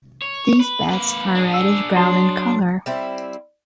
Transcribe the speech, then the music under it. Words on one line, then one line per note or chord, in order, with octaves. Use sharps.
These bats are reddish brown in color.
C#5
B4
A#3 B4
D4 G#4
E6
F#3 A5 C6
G3 C4 E4